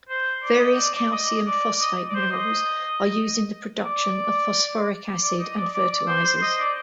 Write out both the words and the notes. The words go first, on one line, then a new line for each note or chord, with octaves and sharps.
Various calcium phosphate minerals are used in the production of phosphoric acid and fertilizers.
C5
D5
D#5
D5
D5
D#5
D5
D#5
D5
C5
D#5
D5
D5
D#5
D5
D5
D5
C5
C5
D#5
D5